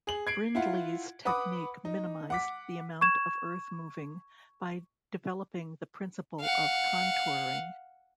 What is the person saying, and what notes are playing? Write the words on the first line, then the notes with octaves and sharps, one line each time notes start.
Brindley's technique minimised the amount of earth moving by developing the principle of contouring.
G#4 F#7
G#6 C7 D7
E4 F4 F#5
B4 F#5 B5 D6 D#6
D#4
F#5 D6 B6
C#6 G#6 E7
F5 F#5